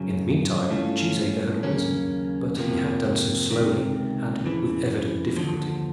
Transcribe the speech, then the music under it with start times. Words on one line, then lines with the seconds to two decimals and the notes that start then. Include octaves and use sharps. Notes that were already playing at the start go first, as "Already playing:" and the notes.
In the meantime Cheesacre had risen; but he had done so slowly, and with evident difficulty.
Already playing: F#2 C#3 F#3
0.70 G2 E3 A3 C#4 F4
1.63 D#2 C#3 F#3 A#3 C#4
2.56 F2 C3 F3 A#3
3.50 C#2 C3 D#3
4.44 F2 C#3 E3
5.37 D#2 D3 F3